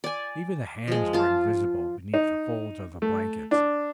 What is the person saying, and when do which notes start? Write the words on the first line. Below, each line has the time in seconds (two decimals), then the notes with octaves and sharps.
Even the hands were invisible beneath the folds of the blankets.
0.04 D5 G#5
0.88 F3 G#3
1.13 F4 A5
2.14 D#4
3.02 A3
3.51 D4